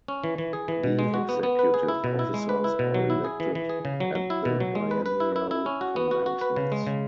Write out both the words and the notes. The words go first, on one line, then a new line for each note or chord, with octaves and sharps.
The Executive Officers are elected at the biennial conventions.
C#4
E3
E3
G#4
E3
B2
G#3
F#4
B3
B3
B4
G#4
E4
B2
E4
G#3
B4
E4
B2
F#3
E4
G#4
E3
E3
G#4
C#3
F#3
F#3
E4
B2
F#3
G#3
B4
B4
E4
E4
E4
C#4
F#4
B3
F#4
F#4
B4
C#3
G#3
C#3